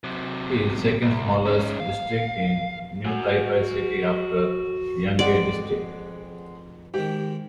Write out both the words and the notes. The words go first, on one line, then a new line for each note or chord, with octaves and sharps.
It is the second smallest district in New Taipei City after Yonghe District.
C3 F#3
C2
C#4 D#4
F5
F#4 G#5
F2 G#3 C4 D5 F#5
G#2 D#3 G4